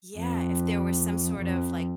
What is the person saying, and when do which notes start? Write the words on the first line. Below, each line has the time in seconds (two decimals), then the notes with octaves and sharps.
Yeah, if there was some sort of, like,
0.17 F2
1.39 F2